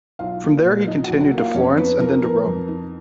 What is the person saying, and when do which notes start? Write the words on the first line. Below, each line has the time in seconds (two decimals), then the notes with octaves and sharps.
From there he continued to Florence and then to Rome.
0.19 B1 F4 F5
0.43 A#3
0.65 A#2
0.87 F3 D#4 D#5
1.04 F#4 F#5
1.10 B1
1.20 F#4 F#5
1.32 A#3
1.37 F4 F5
1.54 F2 C#4 C#5
1.77 B3 D#4 B4
2.00 F3 A#4
2.22 B3 A#4
2.45 F2
2.68 D#4